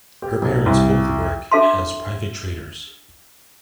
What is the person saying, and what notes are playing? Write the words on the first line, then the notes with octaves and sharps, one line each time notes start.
Her parents both work as private traders.
G4
B1
C2
D4 A4 E5 F5 A5 C6